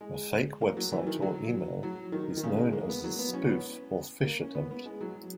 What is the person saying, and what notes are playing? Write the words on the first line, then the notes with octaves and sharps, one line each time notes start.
A fake website or email is known as a spoof or phish attempt.
G#3
A#3
F#3
E3
D#3
F#3
F#3
D#3
D#3
C#3
G#3
A#3
B3
F#3
B3
C#4
B3
A#3
C#4
B3
B3
G#3
F#3